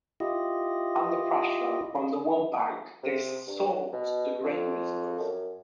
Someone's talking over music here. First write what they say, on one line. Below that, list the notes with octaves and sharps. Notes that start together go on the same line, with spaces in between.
Under pressure from the world bank, they sold the grain reserve.
E4 F4 G4 D#5
C3
G2
F#3
B2
F2
F#2